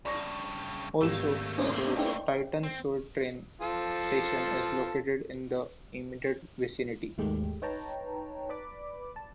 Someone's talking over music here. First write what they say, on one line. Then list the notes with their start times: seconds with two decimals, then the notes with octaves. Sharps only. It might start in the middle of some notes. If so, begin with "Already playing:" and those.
Also, the Titan Sud train station is located in the immediate vicinity.
0.05 G2 C#3 D5 C#6 A#6
1.01 G#1 A3 A#3 G4 E7
1.97 D5 D#5 G5
2.63 C4
3.61 F3 F4 A4
7.18 D#2 G#2 D#3 G#3 A3 G4
7.62 D#4 B4 C#5 G5 A5 A#5
8.49 B4 D5 B5 D6
9.16 A5